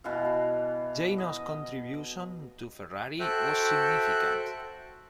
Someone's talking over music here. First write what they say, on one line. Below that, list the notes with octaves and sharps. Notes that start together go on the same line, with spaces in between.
Jano's contribution to Ferrari was significant.
B2 E3 F5
D#5
F#4 A4 C5 E5 G5 F#6